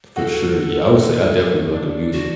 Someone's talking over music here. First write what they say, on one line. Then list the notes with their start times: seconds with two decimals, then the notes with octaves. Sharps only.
For sure. Yeah. I would say, I definitely love the music.
0.16 F#4 A4
1.74 D4
2.13 F#4